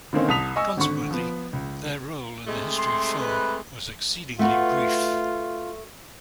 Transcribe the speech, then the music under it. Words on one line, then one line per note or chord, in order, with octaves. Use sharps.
Consequently, their role in the history of film was exceedingly brief.
D3 D#3 A#3 C4 C#4 D#4
C2 A5 D#6 B6 F7
D#5 G#5 C#6 E6
G#1 D3 C#6
F3 B3
C#2
C3 G#3 A3
C6
B4
A3 F4 F#4 B4